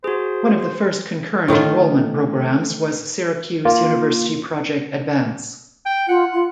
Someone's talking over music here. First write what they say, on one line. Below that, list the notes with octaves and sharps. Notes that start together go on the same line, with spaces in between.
One of the first concurrent enrollment programs was Syracuse University Project Advance.
F#4 G#4 C5
A2 D#3 A3 F4
A#3 F4
G5
F4 F#5
F4